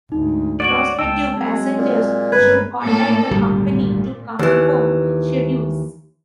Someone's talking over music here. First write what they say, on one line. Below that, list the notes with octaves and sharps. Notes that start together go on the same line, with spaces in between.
Prospective passengers should contact the company to confirm schedules.
D2 G#2 D#4
F#4 C#5 D5 A6 D7 F#7
C#2 G5 A5 E6
F#3 G#3 C4
A#2
G1 A#3 B4 G#6
A2 A#3 A4
G#1 D2 A#2 G3
D#2 E3